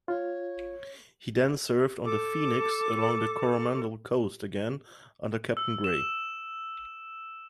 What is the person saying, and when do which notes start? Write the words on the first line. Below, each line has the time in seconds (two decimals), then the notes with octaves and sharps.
He then served on the "Phoenix" along the Coromandel Coast again under Captain Gray.
0.08 F4 C#5
2.04 A4 D6
5.57 E6
5.84 E7